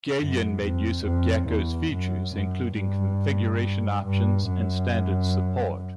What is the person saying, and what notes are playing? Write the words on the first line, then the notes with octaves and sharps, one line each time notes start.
Galeon made use of Gecko's features including configuration options and standards support.
F#2
F2
F2
E2
F#2
F#2
G2
G2
F#2